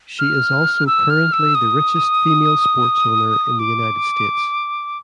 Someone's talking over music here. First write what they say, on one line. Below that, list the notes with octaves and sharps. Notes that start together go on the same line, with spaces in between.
She is also currently the richest female sports owner in the United States.
F6
E6
F6
E6
D#6
D6